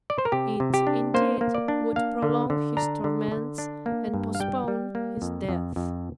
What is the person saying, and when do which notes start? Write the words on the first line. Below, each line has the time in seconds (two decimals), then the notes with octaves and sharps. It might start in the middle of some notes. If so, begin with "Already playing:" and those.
It indeed would prolong his torments, and postpone his death.
0.10 D5
0.18 C5
0.25 A#4
0.32 C3 G4
0.60 C3
0.74 G4
0.87 D4
1.14 A#3 C5
1.41 A#3
1.54 D5
1.68 D4
1.96 A#3 F5
2.22 D3
2.50 D3
2.77 D4 A#5
3.04 D3
3.32 D3
3.58 D4
3.86 A#3
4.14 G2
4.35 F5
4.40 G3 G5
4.68 G3
4.95 A#3
5.22 F2
5.49 F2
5.76 F2